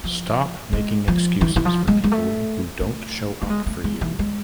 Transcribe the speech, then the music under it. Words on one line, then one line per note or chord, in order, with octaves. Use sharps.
Stop making excuses for people who don’t show up for you.
F3
G#3
F3
E3
E3
F3
G#3
G#3
A3
A3
A3
G#3
A3
G#3
E3
G#3